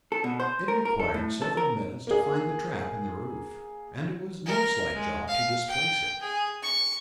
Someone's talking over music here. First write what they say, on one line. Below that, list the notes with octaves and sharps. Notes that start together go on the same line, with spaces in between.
It required several minutes to find the trap in the roof, and it was no slight job to displace it.
A4
B2
C5
A#4
A#4
A4
A2
A4
A#4
A#3 G#4
A#4
G#3
F5
G5
G#4
C#6